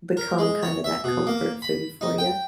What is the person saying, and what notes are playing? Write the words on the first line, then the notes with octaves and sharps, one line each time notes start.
become kinda that comfort food for ya.
A#4
G#3
C#5
E5
B2
A#3
B5
D#4
G5